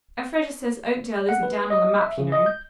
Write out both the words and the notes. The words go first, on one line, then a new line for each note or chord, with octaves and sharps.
"Elfreda says Oakdale isn't down on the map, you know."
F#5
B4
D#5
E5
C#3
D#5
G6